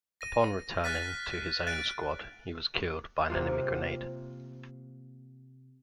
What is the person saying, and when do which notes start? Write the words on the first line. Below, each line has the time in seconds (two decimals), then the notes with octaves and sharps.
Upon returning to his own squad, he was killed by an enemy grenade.
0.21 A#6 D#7
0.84 F6 F#6 A6 B6 D#7
1.67 F#6 A6 D7
3.30 C3 A#3 F4